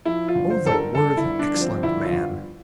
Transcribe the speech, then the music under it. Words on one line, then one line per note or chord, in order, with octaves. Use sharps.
Oh, the worthy, excellent man!
F3 E4
F4
G1
C5
G1 A4
A#4
G1 A4
E4
G1
D4
F3
C4
G1 E4
F4
G1